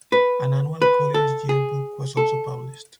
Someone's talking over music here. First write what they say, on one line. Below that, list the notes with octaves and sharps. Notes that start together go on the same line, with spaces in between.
An annual "Collier's Year Book" was also published.
B4
B4
A4
G#4
A4